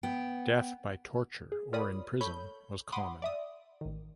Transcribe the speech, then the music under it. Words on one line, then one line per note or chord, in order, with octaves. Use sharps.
Death by torture or in prison was common.
B3 G5
G#4
F4 A#4 C#5 D5 B5 D#6
A4 C#5 B5 G6
F#5 B5 C6 D6 D#6
D5 E5 D#6
A1 D#3